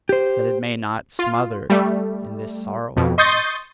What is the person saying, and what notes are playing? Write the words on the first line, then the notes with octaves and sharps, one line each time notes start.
That it may not smother in this sorrowfulness!
G4 C5
F4
G3 A3
F2 B2
D#5 C6 C#6 D#6 G6 A6